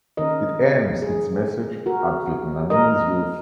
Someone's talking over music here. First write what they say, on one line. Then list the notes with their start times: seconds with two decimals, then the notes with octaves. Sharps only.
It aims its message at Vietnamese youth.
0.17 D#3 A#3 C#4 A#4 D#5
1.02 G#4
1.86 F#4 A#4
2.70 A#4 D#5